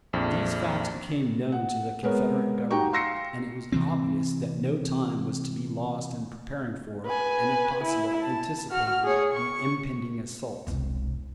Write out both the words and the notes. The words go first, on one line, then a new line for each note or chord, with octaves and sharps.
These facts became known to the Confederate Government, and it was obvious that no time was to be lost in preparing for, and if possible anticipating the impending assault.
A#1 F2
F#5
G#3 B3 A#4 C#5
D#4 F#4 G4 G5 A#5 C#6
F5 C6 E6 A#6 C7 C#7
C3 E3 C4
B4 G#5
E4
A5
F#4 F6
G#4 C#5
C#6
E1 C2